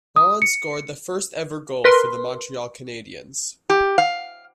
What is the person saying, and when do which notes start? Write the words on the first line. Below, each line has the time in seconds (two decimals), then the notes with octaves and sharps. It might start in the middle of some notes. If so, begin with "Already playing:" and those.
Lalonde scored the first-ever goal for the Montreal Canadiens.
0.16 D#6
0.42 C#7
1.84 A#4 B4 C6
3.70 G4
3.98 F5